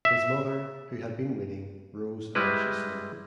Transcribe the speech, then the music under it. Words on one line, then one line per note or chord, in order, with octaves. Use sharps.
His mother, who had been waiting, rose anxiously.
E5
G3 G#3 E4 B4